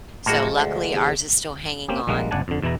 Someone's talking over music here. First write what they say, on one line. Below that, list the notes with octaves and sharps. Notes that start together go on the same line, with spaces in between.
So, luckily, ours is still hanging on,
A2 F3 G#3 A#3 F#4 A5
D2
E2 C3
A#3 C4 C#4 G4
A#1 G3 G#3 A#3 F#5
G1 C#2 D5 F#5 G#5 A5
F2 D3
E2 B2 E3 E4 A#5